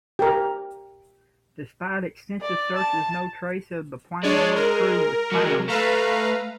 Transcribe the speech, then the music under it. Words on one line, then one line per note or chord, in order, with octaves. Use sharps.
Despite extensive searches no trace of the 'plane or its crew was found.
G4 A#4
D5
A5
G#3 D4 C#5 D5
A#4
F#3 G#3
A3 B4 F5 A#5